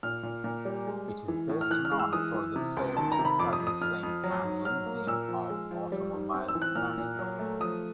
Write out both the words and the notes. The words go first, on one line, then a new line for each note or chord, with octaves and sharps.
It is best known for the sale, servicing and leasing of automobiles nationally.
A#2 F6
A#2
A#2
G3
G#3
G#3
E3
A2
F6
E3 F#6
F6
G#3
E6
E3 D#6
E3
C3
C#2
D#3 A5
A#5
C3
B5
F2 D6
D#6
F2
D#6
F2 F6
F2
F#3
G#2
F#3 F6
A#3
A#2 E6
F3
G#3
F3
G3
G#2
C4
E6
E3
F#6
A#2 F6
A#2
F#3
A3
F3 D#6